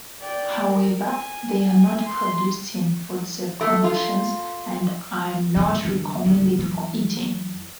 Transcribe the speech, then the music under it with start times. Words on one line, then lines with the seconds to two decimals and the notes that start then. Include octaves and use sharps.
However, they are not produced in food-safe conditions, and are not recommended for eating.
0.21 D5 G5
0.69 A#4
1.03 G#5
1.66 G#5
2.08 C6
3.61 A3
3.84 F4
5.56 G2 C3 F3 A3
5.83 F#2 D3 E3
6.26 C#2 G#2 D3 C#4
6.58 F#2 E3 F#3